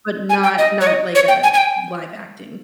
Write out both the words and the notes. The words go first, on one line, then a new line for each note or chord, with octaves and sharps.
but not not like a live acting.
G#5
G5
D#5
C#5
D#5
C#5
G5
G#5
G#5
G5